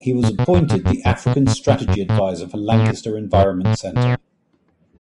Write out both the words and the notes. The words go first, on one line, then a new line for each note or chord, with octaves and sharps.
He was appointed the African Strategy Adviser for Lancaster Environment Centre.
A2
B2
F#2
A2
F#2
F#2
B2
A2
A2
F#2
A2
A2
F#2
A2
B2